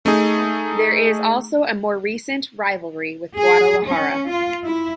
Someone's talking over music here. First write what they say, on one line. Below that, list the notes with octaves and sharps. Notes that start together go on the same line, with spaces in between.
There is also a more recent rivalry with Guadalajara.
A3 D#4 G#4
G#4
C#4
F4
E4